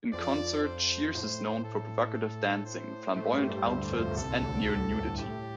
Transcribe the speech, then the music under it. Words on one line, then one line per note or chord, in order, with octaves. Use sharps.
In concert, Shears is known for provocative dancing, flamboyant outfits, and near nudity.
F2 F3 D5
C5
A2
A4
C5
A2 A3
G2 G3
G2 G3
D2 D3
F2 F3
D3
C2 C3 A4
A2
D2 D3
A2
G2
A2 G4